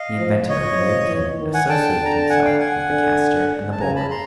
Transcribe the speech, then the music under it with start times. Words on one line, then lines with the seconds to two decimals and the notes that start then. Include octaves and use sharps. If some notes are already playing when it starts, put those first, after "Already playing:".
The inventor of a new cannon associated himself with the caster and the borer.
Already playing: D#5 F5
0.18 F3
0.48 C#5 D#5
0.79 F3
1.09 E3
1.40 D#3
1.54 F#5 G#5
1.69 D3 G5 A5
2.00 D3 A#5
2.17 A5
2.30 F#5 G#5
2.45 F5 G5
2.60 F#5 G#5
2.90 D3
3.72 A5
3.80 C#3 G#5 A#5
3.96 A5 B5
4.11 A#5 C6